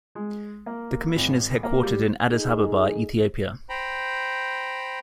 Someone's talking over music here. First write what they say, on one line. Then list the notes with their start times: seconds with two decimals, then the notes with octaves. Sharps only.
The Commission is headquartered in Addis Ababa, Ethiopia.
0.15 G#3
0.66 A#3
1.16 G#1
1.63 A#3
1.83 G3
2.30 D#4 G#4 A4
3.69 C5 G5 A#5 B5